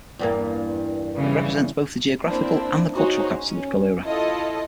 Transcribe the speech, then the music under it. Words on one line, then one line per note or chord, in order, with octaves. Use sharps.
It represents both the geographical and the cultural capital of Gallura.
E2 G2 A#3
C#3 E3 G3
A#3 C4 D4 E4
D#4 F#4 G#4 C5 C#5
C#4
E4 F4 A4 D#5